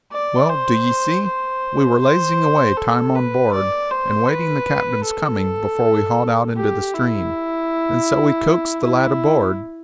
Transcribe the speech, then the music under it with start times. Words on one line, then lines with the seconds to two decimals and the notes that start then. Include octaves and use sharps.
Well, do ye see, we were lazing away time on board, and waiting the captain's coming before we hauled out into the stream, and so we coaxed the lad aboard.
0.12 D5
0.50 C5
1.26 C5
2.01 C5
2.77 A4
3.15 B4
3.53 D5
3.91 C5
4.28 B4
5.05 A4
6.57 G4
6.94 E4
8.84 E4